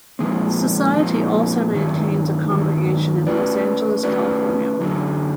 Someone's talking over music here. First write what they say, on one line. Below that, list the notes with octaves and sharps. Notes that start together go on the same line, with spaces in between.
The Society also maintains a congregation in Los Angeles California.
A#2 F3 G#3 C4
A#2 F3 G#3 C4
G2 D#3 F#3
G2 D#3 F#3
A3 C#4 F#4 B4 D5
A3 C#4 F#4 B4 D5
F#2 D3 F#3